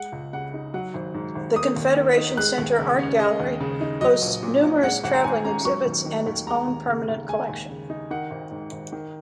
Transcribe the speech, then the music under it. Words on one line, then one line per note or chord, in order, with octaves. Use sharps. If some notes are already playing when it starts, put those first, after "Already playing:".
The Confederation Centre Art Gallery hosts numerous traveling exhibits and its own permanent collection.
Already playing: G#3 F#5
C#2
C#3 F#5
D#4
F#3 F#5
G#1
G#2
G#1
A#3 D#6
D#2
D#3
D#4
G#3 F#6
D#2
C#3
C#4
G#3 D#5
D#2
C#3
D#4
F#3 D#5
A#1
A#2
A#1
G#3 F#5
G#1 F#5
A#5
G#2 G#5
C#4 A#5
F#3 C#6
D#2
D#3
D#2
G#3 A#5
D#2
C#3
D#2
G#3 G#5
D#2
C#3
D#4
D#3 F#5
G#1
G#2
G#1
D#3